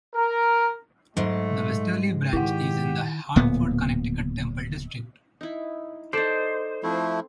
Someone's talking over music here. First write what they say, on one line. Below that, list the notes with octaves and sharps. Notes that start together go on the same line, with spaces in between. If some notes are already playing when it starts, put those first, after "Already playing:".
The Westerly Branch is in the Hartford Connecticut Temple District.
A#4
G#2 F#3 G#3 A3
D#3 E4 G4 F#5
D1 A#2 B3
D#4 E4
D#4 A4 C5 D5
F3 A3 C4 E4